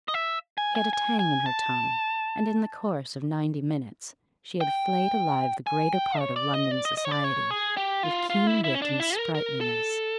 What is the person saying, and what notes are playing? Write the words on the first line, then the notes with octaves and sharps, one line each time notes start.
She had a tang in her tongue, and in the course of ninety minutes she had flayed alive the greater part of London society, with keen wit and sprightliness.
D#5
E5
G#5
G#5
G#5
G#5
A5
G5
G#5
G5
C#5
D5
D#5
D5
D#5
D#5
C#5
D5
C#5
G#4
G4
F4
F4
E4
E4
C#4
D4
E4
A#4
A#4
A4